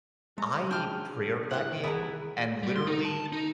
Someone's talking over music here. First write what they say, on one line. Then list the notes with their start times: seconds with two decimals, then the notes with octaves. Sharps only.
I pre-ordered that game and literally,
0.38 G#3 A#5
0.71 G#3 D4 G5 F6
1.51 E4 F#5 F#6
1.83 C2 B3 E4 G#4 A#5
2.63 G3
2.76 C6
2.87 D#4
3.05 A5
3.32 D#4